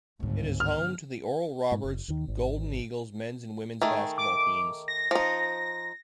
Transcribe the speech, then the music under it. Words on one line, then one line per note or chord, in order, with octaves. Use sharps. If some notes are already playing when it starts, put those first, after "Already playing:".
It is home to the Oral Roberts Golden Eagles men's and women's basketball teams.
G1 C#2 G#2
F6
G#2
F#1
D#2 D#3
G#1
D#3 A3 G#4
D6
A#6
F3 D#4